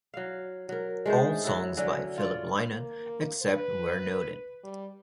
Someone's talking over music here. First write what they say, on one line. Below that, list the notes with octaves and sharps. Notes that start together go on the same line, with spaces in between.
All songs by Philip Lynott, except where noted.
F#3 F5
F#3 A#4
G#3 A3 D#4 C5
F#3 E4 A4
D3 F#3 C#4
F4 C#5 D5
A#3
B4
G3